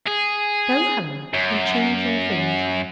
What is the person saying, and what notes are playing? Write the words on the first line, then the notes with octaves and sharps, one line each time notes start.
Go home and change your things.
G#4
F#2